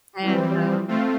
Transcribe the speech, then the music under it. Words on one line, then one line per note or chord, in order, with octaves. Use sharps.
And, um
E3 G3 C4
A3 C4 F4